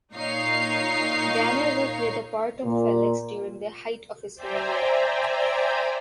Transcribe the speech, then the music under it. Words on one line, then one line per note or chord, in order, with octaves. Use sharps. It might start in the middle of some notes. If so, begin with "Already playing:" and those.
Daniel will play the part of Felix during the height of his career.
A#2 D#4 C#5 F5 C7
A#2
C5 D5 E5 G5 G#5 A#5